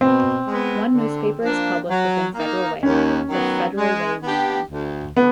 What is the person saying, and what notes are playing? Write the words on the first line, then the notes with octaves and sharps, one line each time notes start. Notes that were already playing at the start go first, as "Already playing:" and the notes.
One newspaper is published within Federal Way, The "Federal Way Mirror".
B2 C4
G#3 B3
D3
F3 A#3 D4
F#3
A#3 D#4
D#2 C#4
D#3 F#3 B3
G#3
B3 D4 G4
D2
D3 B3